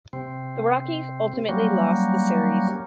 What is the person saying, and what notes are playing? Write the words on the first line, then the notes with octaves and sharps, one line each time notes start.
The Rockies ultimately lost the series.
C3 C4
F#3 G3 A#3 C#4